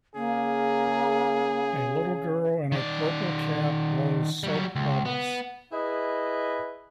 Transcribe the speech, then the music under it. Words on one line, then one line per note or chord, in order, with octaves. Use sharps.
A little girl in a purple cap blows soap bubbles.
C#3 A#3 G#4
D#3 D5
F#3 G3
C#2
B3
E4 G#4 B4 D#5